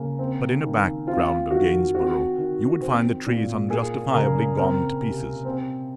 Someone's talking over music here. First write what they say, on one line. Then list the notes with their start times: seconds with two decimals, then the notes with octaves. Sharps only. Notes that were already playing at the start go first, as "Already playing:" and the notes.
But in a background of Gainsborough you would find the trees unjustifiably gone to pieces.
Already playing: C#3 A#3
0.19 C4
0.64 D#3
1.07 C4 F4
1.51 D#3 F#4
1.94 C4 F#4
2.38 D#3
2.82 C4
3.26 A#2
3.70 A#3 G#4
4.13 C#3 A#4
4.57 C4 A#4
5.01 C3
5.45 C4